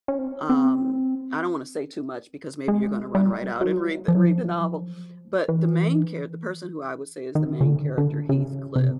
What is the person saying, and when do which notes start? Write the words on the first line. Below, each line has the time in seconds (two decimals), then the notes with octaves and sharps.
um, I don't wanna say too much because maybe you're going to run right out and read the read the novel, but, the main char the person who I would say is the main character, Heathcliff
0.08 C#4
0.18 C4
0.49 C4
2.68 G#3
3.15 G3
3.61 F#3
4.08 F3
4.15 F#3
4.22 F3
5.48 E3
7.35 D#3
7.61 C#3
7.66 D3
7.98 D3
8.29 C#3
8.76 C3